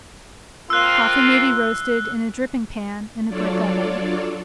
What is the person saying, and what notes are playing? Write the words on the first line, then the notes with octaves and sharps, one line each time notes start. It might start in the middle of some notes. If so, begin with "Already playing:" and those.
Coffee may be roasted in a dripping-pan in a brick oven.
A#3 C4 F4 E6 F#6
F#3 D4 F4 A4 C#5 D5